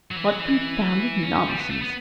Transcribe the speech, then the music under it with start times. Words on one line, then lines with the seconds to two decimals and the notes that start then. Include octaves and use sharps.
What confounded nonsense!
0.11 F#3
0.16 E3
0.28 F#3
0.39 E3
1.23 C#4
1.35 C#4
1.47 G3
1.59 B3
1.71 A3
1.82 B3